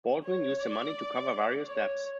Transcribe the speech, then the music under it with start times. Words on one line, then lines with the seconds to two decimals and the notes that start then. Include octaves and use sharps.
Baldwin used the money to cover various debts.
0.24 C#5
0.60 D5
1.66 C#5